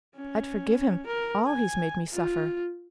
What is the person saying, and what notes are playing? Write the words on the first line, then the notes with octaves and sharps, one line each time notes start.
I'd forgive him all he's made me suffer.
C#4
A#4
G#5
F4